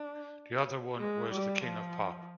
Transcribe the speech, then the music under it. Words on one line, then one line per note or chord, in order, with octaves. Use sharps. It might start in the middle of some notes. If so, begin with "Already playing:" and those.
The other one was the King of Pop.
Already playing: D4
G#3
G3
F3